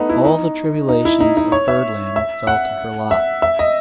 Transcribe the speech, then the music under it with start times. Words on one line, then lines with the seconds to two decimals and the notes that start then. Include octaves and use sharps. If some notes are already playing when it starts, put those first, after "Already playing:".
All the tribulations of birdland fell to her lot.
Already playing: A3 B3 D#4
0.09 E4
0.25 D#4
0.89 D#4
1.05 E4
1.21 D#4
1.37 D#4
1.52 C#5
1.68 E5
2.16 E5
2.47 F#5
3.11 E5
3.42 E5
3.59 D#5